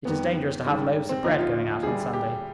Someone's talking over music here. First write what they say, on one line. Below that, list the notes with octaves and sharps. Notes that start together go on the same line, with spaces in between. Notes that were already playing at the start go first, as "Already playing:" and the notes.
It is dangerous to have loaves of bread going out on Sunday.
F2 D#3 G3 B3
G#2 D#3 G3
C4
D#2 D3 F3 D#4
F4
D2 D3 G3 G#4
G4